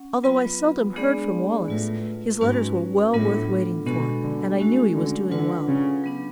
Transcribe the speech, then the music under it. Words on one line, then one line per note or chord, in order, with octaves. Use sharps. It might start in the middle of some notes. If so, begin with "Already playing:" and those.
Although I seldom heard from Wallace, his letters were well worth waiting for, and I knew he was doing well.
Already playing: C#4 F#5
F#3 B3 F4 B4
G#3 B3 D4 G#4 D5
A2 A3 F4 B4
G#2 A3 C#4 F#4 B4
A2 F#3 B3 D4 F4 A4
B2 G#3 B3 D4 F#4 A4
D3
G#3 A3 C#4 F#4 A4
D3
D3 F4 B4 F#5
C#3
F#3 B3 D4